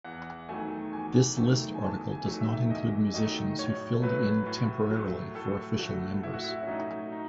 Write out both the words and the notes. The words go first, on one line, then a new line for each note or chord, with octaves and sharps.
This list article does not include musicians who filled in temporarily for official members.
E2 F#5
D#3 F#3 A3 G#5
E2 G#5
D#3 F#3 A3
G#5
E2 A5
G#5
D#3 F#3 A3
E5
E2 D#5
D#3 F#3 A3 D#5
A2 C#5
F#3 A3 B4
A2
F#3
A3
A2 A4
F#3 A3 F#4
A2 E4
F#4
E4
C#4
F#3 A3 D#4
D#4